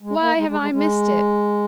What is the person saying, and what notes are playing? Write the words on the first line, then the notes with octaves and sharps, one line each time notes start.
Why have I missed it?
G#3
A#3
G#3
G#3
G#3
G#3